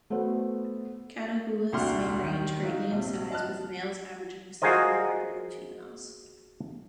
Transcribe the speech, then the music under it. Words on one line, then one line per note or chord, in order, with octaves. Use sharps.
Catahoulas may range greatly in size with males averaging slightly larger than females.
A3 B3 F#4 C5
D#1 C2 D4 F#4 C6 F6
D#3
F#3 D#4 F4
A#1 C3
D#5 A5 F6 F#6
F4 F#4 G#4 A#4 C5 D#5